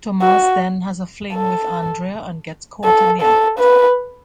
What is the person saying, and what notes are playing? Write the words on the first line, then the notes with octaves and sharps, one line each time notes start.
Tomas then has a fling with Andrea and gets caught in the act.
F#4
A4
A4
A4
B4